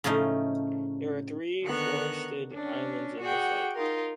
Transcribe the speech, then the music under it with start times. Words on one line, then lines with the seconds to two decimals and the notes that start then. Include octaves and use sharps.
There are three forested islands in the site.
0.04 A2 C#3 F3 A3 D#4
1.64 D3 D#3 B3 A#5 C#6 F#6
2.53 C#4 D4
3.21 F#4 G#4 D5 F#5 G5
3.76 D#4 F4 A#4